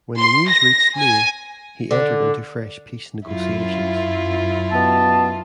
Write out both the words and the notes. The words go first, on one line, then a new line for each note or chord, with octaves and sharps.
When the news reached Louis, he entered into fresh peace negotiations.
C6
A#6
G#5
D3
F#2 E4 F4
B2 B3 A5